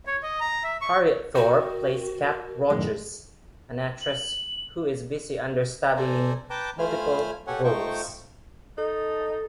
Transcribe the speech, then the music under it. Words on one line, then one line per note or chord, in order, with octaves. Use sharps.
Harriet Thorpe plays Cat Rogers, an actress who is busy understudying multiple roles.
C#5
D#5
A#5
E5
C#6
F#4 A#4 G5 C#6
F#2 A2 D#3 G#3
F#7
A4 C5 D5 G#5 A#5
B4 G5 A5 A#5 D6 G6
A3 F4 C5 G#5 B5 F6
G4 A4 C#5 F#5 G#5
A3 D#4 F4 C5 G5 C#6
D#4 A4